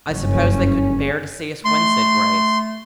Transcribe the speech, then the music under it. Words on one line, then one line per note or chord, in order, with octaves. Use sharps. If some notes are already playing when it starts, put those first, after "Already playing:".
"I suppose they couldn't bear to see us win," said Grace.
F#1 G2 C#4
A3 C6